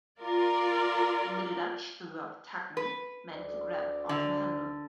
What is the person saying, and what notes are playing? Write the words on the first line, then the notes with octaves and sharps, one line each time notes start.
In Middle Dutch, the verb "tacken" meant to grab or to handle.
F4 A#4 D5
B4
D2 D5
D3